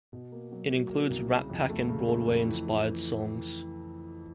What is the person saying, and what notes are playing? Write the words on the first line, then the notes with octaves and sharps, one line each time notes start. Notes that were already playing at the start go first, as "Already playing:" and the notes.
It includes Rat Pack- and Broadway-inspired songs.
B2
A#3
F#3
F#3
A#3
C2
C#3
F2
A3
C#3
A3
F2
E3
E3